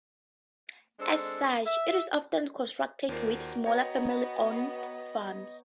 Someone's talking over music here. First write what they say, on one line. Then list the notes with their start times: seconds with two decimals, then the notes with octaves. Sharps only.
As such, it is often contrasted with smaller family-owned farms.
0.99 G#3 C4 D4 A4
1.66 E5
3.09 D#2 F4 F#4 A#4 C5 D5
3.66 B3 C#5 D#5 G5 A#5